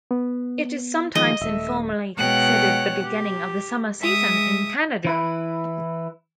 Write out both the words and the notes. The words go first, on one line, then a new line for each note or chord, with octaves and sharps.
It is sometimes informally considered the beginning of the summer season in Canada.
B3
D#3 F3 G#3 D#5
D#1 A3 E5
B2 G#3 C#5 F#5 G5 F#6
G4
G#3 E5 D#6
E3 E4 B4